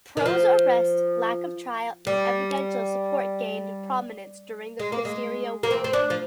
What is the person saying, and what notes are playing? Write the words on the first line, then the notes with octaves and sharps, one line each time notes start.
Pro's arrest, lack of trial, and evidential support gained prominence during the Cristero War.
D#3
F3
G3
G#3
A#3
G#3
A#3
C4
C4
D4
F3